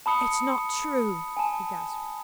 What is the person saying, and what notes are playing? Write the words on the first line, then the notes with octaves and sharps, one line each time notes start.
"It's not true!" he gasped.
A5 B5 D#6 C#7
G#5 A5